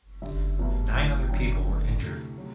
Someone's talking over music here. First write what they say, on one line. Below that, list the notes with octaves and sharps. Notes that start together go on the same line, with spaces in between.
Nine other people were injured.
F#2 D3 G3 E5
C2 B2 F#3 A3
A2 E3 A3
F#2 D3 F#3 G5
F#2 D3 A3 G5
D2 C3 E3 A3
C3 F#3 A3